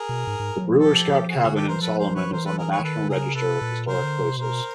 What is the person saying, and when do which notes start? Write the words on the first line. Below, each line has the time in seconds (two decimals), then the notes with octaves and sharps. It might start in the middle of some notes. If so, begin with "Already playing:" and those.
The Brewer Scout Cabin in Solomon is on the National Register of Historic Places.
Already playing: G#4 A#4
0.09 B2
0.27 G#2
0.40 G#2
0.57 F#3
0.65 F3
0.78 G4 A4
1.29 F#4 G#4
1.35 C#3
1.43 D3 F#4 G#4
1.55 D#3 G4 A4
1.67 E3 A#4 C5
1.81 F3 A4 B4
1.98 A#4 C5
2.15 B4 C#5
2.32 E3 A#4 C5
2.45 A4 B4
2.58 G#4 A#4
2.71 B4 C#5
2.80 E3
2.84 D#3 A4 B4
3.09 C#3 G#4 A#4
3.35 C3 A4 B4
3.61 A#2
3.86 C3 A#4 C5
4.03 D3
4.21 C3
4.38 B2 A#4 C5